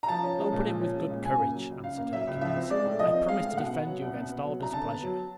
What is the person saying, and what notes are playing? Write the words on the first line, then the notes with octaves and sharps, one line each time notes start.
"Open it with good courage," answered Hercules, "I promise to defend you against all displeasure."
A#5
F3 A5
C#4
G#3
A#2
F3
C#4
G#3
A#2
C#3 G#5
A#3
F#3
C#2
C#3 F5
A#3
F#3 E5
C#2
F3 E5
C4
G#3 D5
A2
F3 D#5
C4
G#3 F5
A2
B2 F#5
B3
F#3
C2
B2
B3
F#3
C2 A#5
D3 A5
B3
F#3